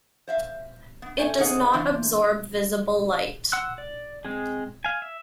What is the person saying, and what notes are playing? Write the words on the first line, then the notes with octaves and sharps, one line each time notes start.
It does not absorb visible light.
C5 E5 F5
B3
A3 C#4 C5 G#5
C#4 D#4 G#4 D#5 F#5
C#3 E3 C4 D4 F4
F#5 C6 E6 F#6
D5
G#3 C4 G#4
F5 G#5
E5